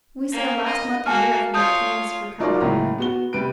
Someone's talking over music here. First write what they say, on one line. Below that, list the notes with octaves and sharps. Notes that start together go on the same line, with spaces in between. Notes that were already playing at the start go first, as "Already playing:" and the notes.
"We sailed last month a year from the Thames for Callao."
A#3 C#4
D#5
A#3 F#4 G#5 A5 F6
F4 C#5 A5 D#6 G6
F#3 D#4 F4 A#4 C#5 D5
F#1 C#2 A2 A#3 C#4 A#5
B3 F#4 G7
C3 G3 B4 D7